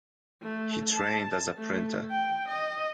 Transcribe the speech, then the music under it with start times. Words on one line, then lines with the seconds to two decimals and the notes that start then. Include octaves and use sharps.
He trained as a printer.
0.42 A3
0.93 A5
1.58 A3
2.11 G5
2.48 D#5